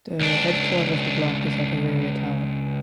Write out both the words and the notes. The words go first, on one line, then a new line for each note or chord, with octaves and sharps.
The headquarter of the block is at Araria town.
C#2 D4